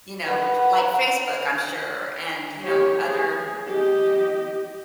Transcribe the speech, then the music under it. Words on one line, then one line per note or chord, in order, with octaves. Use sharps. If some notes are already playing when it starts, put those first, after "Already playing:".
you know like Facebook, I'm sure, and, you know, other
B4 F#5
G4 C#5
G#4
G4 D#5